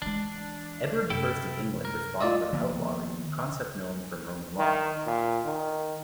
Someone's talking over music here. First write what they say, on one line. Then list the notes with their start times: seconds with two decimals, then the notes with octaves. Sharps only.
Edward the First of England responded with outlawry, a concept known from Roman law.
0.02 E3 G#3 D4
1.10 F#2 C3 E4 A4 G5
1.85 A#4
2.21 F4 D5 D#5 D#6 E6
2.53 D#3 F3 A#3 B3
4.59 D#3
5.07 A#2
5.45 D#3